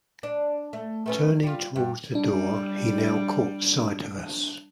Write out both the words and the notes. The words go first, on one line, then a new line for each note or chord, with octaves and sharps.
Turning towards the door, he now caught sight of us.
D4
A3
A3 B3 C#4
G3 F4
G2
G3 D4